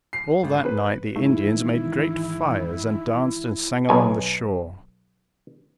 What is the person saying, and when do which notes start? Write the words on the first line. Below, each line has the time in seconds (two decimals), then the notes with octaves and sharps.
All that night the Indians made great fires and danced and sang along the shore.
0.13 C7
0.43 G#1
0.65 B4
1.16 G#2 D#3 E3 G#3 D#4 E4
3.89 B1 G#5